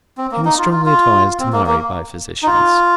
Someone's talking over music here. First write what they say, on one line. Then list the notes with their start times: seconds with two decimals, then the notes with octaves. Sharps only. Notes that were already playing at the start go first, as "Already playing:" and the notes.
He was strongly advised to marry by physicians.
0.17 C4
0.32 A#3
0.45 D#4
0.58 F4
0.73 F4
0.86 F4
1.40 C4
1.53 A#3
1.67 A#3
2.43 D#4
2.47 F4